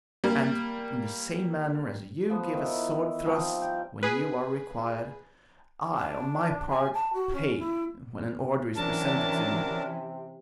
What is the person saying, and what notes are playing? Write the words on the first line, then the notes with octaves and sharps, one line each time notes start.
And, in the same manner as you give a sword-thrust, when you are required, I, on my part, pay when an order is presented to me.
G3 A#3
F3 B3
D#3 E4
F3 G3 C4 D#4
G5
G#4 B4
D4
G#5
A5
F#4
C#4
E4
C3 E3 F#3 C#4 D4 A#4 E5 A5